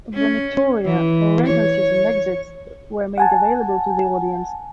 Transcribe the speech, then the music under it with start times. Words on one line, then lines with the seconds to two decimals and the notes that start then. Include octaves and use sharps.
"Vomitoria" or entrances and exits were made available to the audience.
0.13 C#4
0.84 E3
1.46 C#5
3.18 F#5 G#5 A5